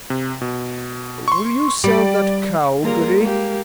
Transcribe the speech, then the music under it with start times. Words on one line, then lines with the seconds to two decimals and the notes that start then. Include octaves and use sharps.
'Will you sell that cow, Goody?'
0.10 C3
0.41 B2
1.28 C6 C#6
1.84 G3 D5
2.82 G3 A#3 F4 G#4 A#4 A#5
3.20 G#3 A#3 G4